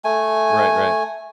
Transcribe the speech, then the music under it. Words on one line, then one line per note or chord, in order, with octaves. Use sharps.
Right, right.
A3 G#5